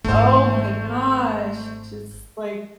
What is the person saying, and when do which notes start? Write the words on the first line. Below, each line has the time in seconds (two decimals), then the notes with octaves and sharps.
Oh my gosh. It's just, like,
0.04 G#1 E3 A3 C5